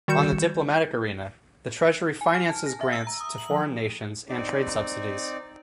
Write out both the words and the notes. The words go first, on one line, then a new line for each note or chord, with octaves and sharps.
On the Diplomatic arena the treasury finances grants to foreign nations and trade subsidies.
D#3 G3 F#4 G6 C#7 E7
G#5
F6
A5
A#6
E5
E6
A#5
D#6
F#7
F3
C4 D#4 D5